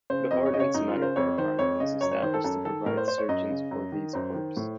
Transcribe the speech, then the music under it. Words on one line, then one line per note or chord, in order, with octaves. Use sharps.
The Ordnance Medical Department was established to provide surgeons for these corps.
C#3 C5
F2 D#5
C#5
C#3 D#5
C#5
F#2 D#4
F4
C#3 A#4
C5
F2 C#5
D#3 C5
F2 C#5
C#3 D#5
F#2 C#5
C#5
D#3 C5
A4
F#2 A4
D#3 A4
A2 A#4
C5
C5
C#5
F#2 D#5
C#3
F#2
D#3
F#2 C5
D#3
A2